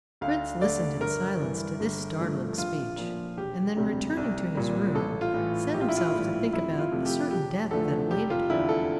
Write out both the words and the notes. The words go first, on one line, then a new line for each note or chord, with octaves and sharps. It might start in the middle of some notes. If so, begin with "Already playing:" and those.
The prince listened in silence to this startling speech, and then returning to his room set himself to think about the certain death that awaited him.
D2 F5
D3 A3 D5
G1 A#4
G2 E3
G1
G2 F3 A3
A#1 F4
A#2 F3
E1 G4
D2 C3 G3
C2
A#2 G3
A1 A4
F4
A2 E3
A#1 G4
F4
E4
F4
A2 E3 G3
F2 E4
F4
C3 F3 A3
G4
E1 G4
E2 D3 F3 A3 A4
F1 G4
F4
E2 D3 E4
A4